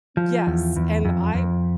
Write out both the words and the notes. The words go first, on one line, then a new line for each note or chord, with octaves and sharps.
Yes, and I
F3
E2
E2
F2
F2